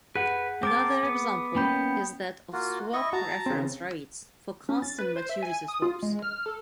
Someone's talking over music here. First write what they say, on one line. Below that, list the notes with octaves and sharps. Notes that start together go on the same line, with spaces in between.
Another example is that of swap reference rates for constant maturity swaps.
G#4 B4 F#5 F#6
C4 A#4 A5 D6
B3
A#3 C#4 G5 B5 G6
A#3 F4 F#4
E4 D#5 C#6 A#6
F#4 A5 A#5
C#3 C4
C#4
A6
B4
C5
E5
G#5
D#6
F4
G#3
F6
A4